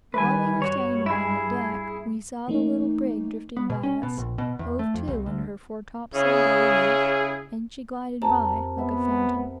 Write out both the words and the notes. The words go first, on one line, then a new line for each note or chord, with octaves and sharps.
While we were standing about on deck, we saw the little brig drifting by us, hove to under her fore topsail double reefed; and she glided by like a phantom.
D#3 G3 B4 G#5
G2 F#4 C#5
E4 G#4
E3 A3 A#3 D#4
B3
B2
C#4
B2
A#1
B2
E2
A3
F2
C2
D2
C#3 E4 G#4
F2 C3 A#4 A5 A#5
B3 E5